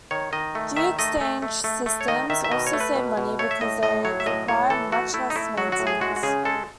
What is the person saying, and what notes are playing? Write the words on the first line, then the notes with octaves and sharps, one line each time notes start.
Geo-exchange systems also save money because they require much less maintenance.
D#3 C#5
D#3 D#5
A3
D#3 E5
A3 D#5
A3
A3
A3
A3
C#5
D#3 D#5
D#3 E5
E5
B2 D#5
C#5
A3
B4
B2
B2
A3 C#5
E5
A2 D#5
A2 D#5
F#3 C#5
E5
A2 D#5
A2 C#5
E3 A4
A3 F#4
A3 E4
D#4
A3 E4
F#3 F#4
F#4
A2
G#4
G#3 F#4
F#4
C#3 G#4
G#3 A4